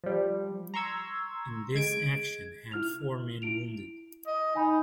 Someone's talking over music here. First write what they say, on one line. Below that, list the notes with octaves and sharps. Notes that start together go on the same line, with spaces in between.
In this action, had four men wounded.
F3 G3
A#5 C6 C#6 E6 G#6
G#3 G#6 D7
E4 F6 F7
E4 D7 F7
D#5
D#4 G#5 B5